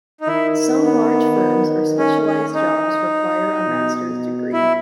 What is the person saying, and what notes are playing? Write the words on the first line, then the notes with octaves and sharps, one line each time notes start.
Some large firms or specialized jobs require a master's degree.
D#4
D#3 E4
B3
C#4
C#4
D#4
B2
E4